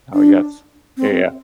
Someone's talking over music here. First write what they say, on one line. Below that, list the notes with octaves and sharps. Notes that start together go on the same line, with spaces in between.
Oh, yes. Yeah, yeah.
D4
C4